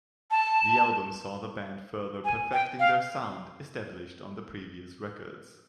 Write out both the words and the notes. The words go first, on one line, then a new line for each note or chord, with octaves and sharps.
The album saw the band further perfecting their sound established on the previous records.
A5
G#5
G5
F5